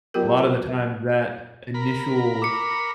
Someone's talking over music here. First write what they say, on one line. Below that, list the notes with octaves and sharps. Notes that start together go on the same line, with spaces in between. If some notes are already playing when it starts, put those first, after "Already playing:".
a lotta the time that initial
F#3 B3 F4 G4 A#4
A#4 B5
D6 C#7